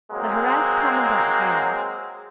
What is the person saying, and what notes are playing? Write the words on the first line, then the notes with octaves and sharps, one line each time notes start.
The harassed commandant grinned.
F#3 G#3 A#3 C4